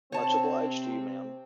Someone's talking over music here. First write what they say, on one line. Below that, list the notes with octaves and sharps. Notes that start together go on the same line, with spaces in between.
Much obliged to you, ma'am!
C3 C4 C#5 A5